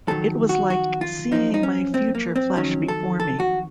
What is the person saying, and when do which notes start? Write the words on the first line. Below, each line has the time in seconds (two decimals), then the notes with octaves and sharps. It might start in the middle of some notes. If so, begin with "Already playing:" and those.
It was like seeing my future flash before me.
0.07 F2 C3 D#3 F#3 A4
0.49 F#4
0.70 F#4
1.01 F4
1.32 F#2 F3 D#4
1.54 D#4
1.63 C#4
1.94 C4
2.15 A#3
2.36 C4
2.56 F2 D#3 F#3 C#4
2.88 A4
3.20 A4
3.40 F#4